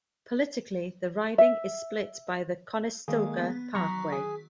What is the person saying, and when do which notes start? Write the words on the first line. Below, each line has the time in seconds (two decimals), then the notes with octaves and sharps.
Politically, the riding is split by the Conestoga Parkway.
1.38 E5
3.08 D#3 G#3 A#3 G#4
3.37 B3
3.75 D#3 F#3 A#5 C#6 B6
4.12 G#4